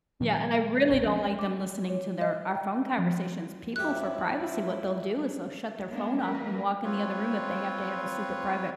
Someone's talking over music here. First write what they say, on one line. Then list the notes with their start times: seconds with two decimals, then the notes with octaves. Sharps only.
Yeah, and I really don't like them listening to their our phone conversations. People for privacy, what they'll do is they'll shut their phone off and walk in the other room if they have to have a super private,
0.21 A#2 D#3 F3 G3
0.90 F1 B1 A#2
1.05 F3
1.39 D6
1.90 C#5
2.21 D#5
2.55 G5
2.98 F3
3.76 F#2 F3 A3 E4 G4 F#6
5.87 G#3 A#3 B3 D4
6.19 F3 A#3 A#4 B4
6.84 C4 F4 B4 C#5